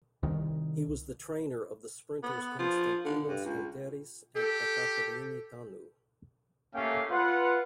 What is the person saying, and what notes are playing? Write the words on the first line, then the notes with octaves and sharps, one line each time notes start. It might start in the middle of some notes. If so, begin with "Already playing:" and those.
He was the trainer of the sprinters Konstantinos Kenteris and Ekaterini Thanou.
C2 D#3
B3
F3
D3
G2
C#2
G4 A4
A3 A#3 C#4 G4 F5 G5
F4 B4 F#5